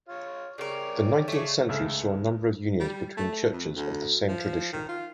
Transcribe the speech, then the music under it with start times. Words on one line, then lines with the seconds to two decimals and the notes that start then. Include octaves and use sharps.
The nineteenth century saw a number of unions between churches of the same tradition.
0.08 F4 C#5
0.58 C#3 G4 A#4 C#5 D5
1.28 C#3 A3
1.69 C#2 G#3 A3 E5 E6 F6
2.79 G3
3.17 A3
3.52 F2
3.75 D2
4.27 F3
4.73 D#3
4.88 F4